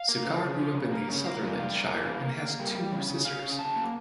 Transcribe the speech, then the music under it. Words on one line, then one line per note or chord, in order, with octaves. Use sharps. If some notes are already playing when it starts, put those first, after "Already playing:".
Sukkar grew up in the Sutherland Shire and has two sisters.
Already playing: F5
A#3
C#3
C#3
F3
C#3
A#3
C#3
A#3 F5
G3
G3 F5
A#3
E3
A#3
A#3
A#3
G3
G3
C#3
C#3
C#3 F5
C#3
C#3 A5
A#3